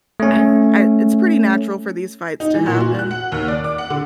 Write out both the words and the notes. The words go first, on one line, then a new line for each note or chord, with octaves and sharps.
I've I it's pretty natural for these fights to happen,
A3 C#4
D#4
E3
A#2
F#4
F#6
F#5
D#2
D5
D6
F#5
D3